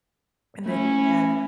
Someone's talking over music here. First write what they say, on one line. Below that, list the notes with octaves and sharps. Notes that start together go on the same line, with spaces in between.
And then we have,
A3 C#4 E4